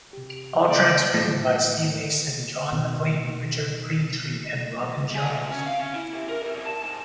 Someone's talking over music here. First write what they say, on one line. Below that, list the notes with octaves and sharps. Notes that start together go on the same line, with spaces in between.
All tracks written by Steve Mason, John Maclean, Richard Greentree, and Robin Jones.
C3 G4
C#3 A#3 D5
A2
B2 D#3
G#4
D2
C#4
F5
C#4
E4
C3
A#4
C3
C2
A5
G#2